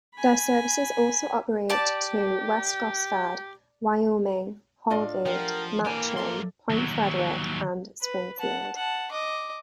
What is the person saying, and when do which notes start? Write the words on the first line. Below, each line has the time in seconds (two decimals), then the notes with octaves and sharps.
Their services also operate to West Gosford, Wyoming, Holgate, Matcham, Point Frederick and Springfield.
0.17 G#5 B5
1.70 G4 D5 A5
4.90 A2 D4 F4 D5 D#5 F5
5.26 F3 G4 A#4 F#5
5.85 E3 A#3 G4 D5 G#5
6.17 F#2 A4 D5 E5 C6
6.70 D#2 F#3
8.01 B4
8.38 F#5 A5
8.75 F#5 A5
9.12 D#5 D6